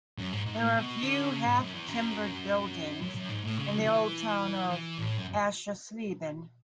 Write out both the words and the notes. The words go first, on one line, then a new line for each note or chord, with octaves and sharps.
There are few half-timbered buildings in the old town of Aschersleben.
F#2
G#2
G#2
A2
B2
D3
C#3
G#2
F#2
E2
F#2
F#2
F#2
G#2
A2
C#3
G#3
F#3
E3
E3
A2
F#2